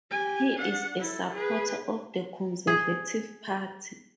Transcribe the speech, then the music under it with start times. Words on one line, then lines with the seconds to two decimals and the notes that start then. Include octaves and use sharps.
He is a supporter of the Conservative Party.
0.11 G4 G#5
0.56 D4 F#5
0.98 E4 A4
1.34 G#4 B4
2.67 G#4